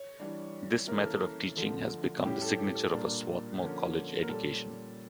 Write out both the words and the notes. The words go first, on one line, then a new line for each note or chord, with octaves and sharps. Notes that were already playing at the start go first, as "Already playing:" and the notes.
This method of teaching has become the signature of a Swarthmore College education.
Already playing: C#5
E3 G3 D4
E3 A#3 C#4 A#4
A4
A#4
D3 F3 A3
A2 G3 C#4 G4
A4
G4
A4
A#2 G3 A#3 D4
D3 F3 A#3 C#4
A#4
A#2 G3 C#4 A4